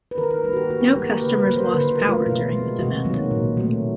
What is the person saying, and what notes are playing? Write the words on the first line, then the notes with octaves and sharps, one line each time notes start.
No customers lost power during this event.
B4
D#3 A#4
A#4
G3 A#3 F#4 B4
G4
D#3 F#4
G4
F#4
G3 A#3
A#4
C#3 B4
B4
F#3 A#3
C5
D3 B4
A#4
F#3 A3
F4
B2 F4
G#3
C3 F#4
D#3 F#3 A#3
A#2
F#3 A3